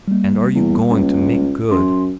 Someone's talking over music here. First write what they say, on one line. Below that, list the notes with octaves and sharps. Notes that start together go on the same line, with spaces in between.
And are you going to make good?
G3 A#3
E2
C#2
F#2 C6